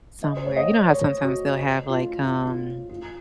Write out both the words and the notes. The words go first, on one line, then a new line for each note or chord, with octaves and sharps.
somewhere you know how sometimes they'll have, like, um
D#5
C5
C#5
D#5
C#5
F#4
F4
F4
F4
F4